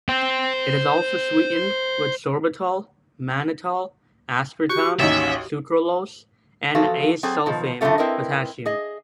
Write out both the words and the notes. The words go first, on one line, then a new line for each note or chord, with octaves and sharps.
It is also sweetened with sorbitol, Mannitol, Aspartame, Sucralose and Acesulfame potassium.
C5 G5
F#4 G4 C#6
A1 D#2 C#4 D#4 E5
E2 F3 F#4 A4 F5
F#3 C4 G#4 A4
B2 D#3 F3
F#2 A2 D3 G3 A3 F4
C4 E4 A#4 B4 D#5
G#4 D#5